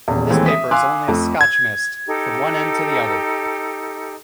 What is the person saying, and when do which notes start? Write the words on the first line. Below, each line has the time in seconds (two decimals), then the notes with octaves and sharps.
This paper is only a Scotch mist from one end to the other.
0.08 D#1 E2
0.30 D#2 E3 G#3 A3 C4
0.46 E5 D#6 B6
0.71 F5 G#5 C6 D6 E6 F#6
1.08 F2 A3
1.41 G#6
2.07 D#4 G4 A4